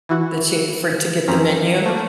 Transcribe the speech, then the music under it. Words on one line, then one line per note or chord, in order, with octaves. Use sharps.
that you for to get the menu
E3 E4 F#4
F#2 F3 C4 C#4 A#5 B6
A3 A#3